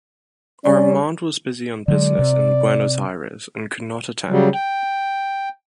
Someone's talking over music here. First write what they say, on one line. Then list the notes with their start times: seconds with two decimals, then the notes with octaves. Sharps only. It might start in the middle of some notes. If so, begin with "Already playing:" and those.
Armand was busy on business in Buenos Aires and could not attend.
0.64 G3 C#4 D5
1.88 D3 F#3 G#3 D5
2.19 C3
4.30 C#3 F#3 G3
4.54 G5